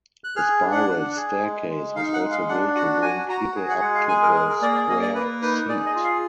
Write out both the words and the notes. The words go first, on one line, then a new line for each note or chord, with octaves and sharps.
A spiral staircase was also built to bring people up to the square seat.
F#6
G#4 F6
D4
F#5
D4
G#4
G#3
G#3
D#4 F5
F#5
G#3
F5
D4 F#5
F#4 F#5
F#4 G#5
F#4 A#5
G#4
F#5
G#3 F#5
F5
G#4 G#5
A#4
G#4
A#4
A#3 D5
D5
A#3 D#5
D5
A#3 B4
D#4 B4
G#4 D5
D#5
F4
F5